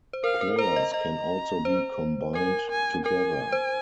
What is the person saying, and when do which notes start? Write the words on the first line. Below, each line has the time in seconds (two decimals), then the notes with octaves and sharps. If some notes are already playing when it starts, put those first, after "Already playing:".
Players can also be combined together.
0.13 C5
0.24 A#4 F5
0.41 A#4
0.59 C5 A#5
0.76 D#5
0.94 D#5 A#5
1.65 C5
2.35 A#4 G#5
2.70 G#5
3.06 A#4 G#5
3.52 C5